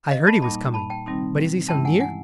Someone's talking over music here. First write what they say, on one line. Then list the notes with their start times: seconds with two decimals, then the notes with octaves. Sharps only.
"I heard he was coming, but is he so near?"
0.11 D#5 F5
0.27 A5 B5
0.42 A#2 G3 A#3 D#4 A5 B5
0.74 A5 B5
0.90 G5 A5
1.06 C3 D#3 G3 C4 D#4
1.69 G2 E3 G#3 C#4 E4 G5 A5
1.85 F#5 G#5
2.00 F#5 G#5